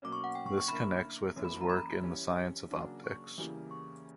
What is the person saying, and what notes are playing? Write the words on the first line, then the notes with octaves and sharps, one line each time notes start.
This connects with his work in the science of optics.
B2 F#3 A#3 C#4 D6
C#6
F#5
G5
C#6
C#6
D3 A#3 E4 A#4 B5
F#2 E3 A#3 C#4
B5
A#5
B5
E3 G3 C#4
C#3 F#3 A#3 D4 F#4
C#6
E2 C#3 E3 G3 A#3
C#6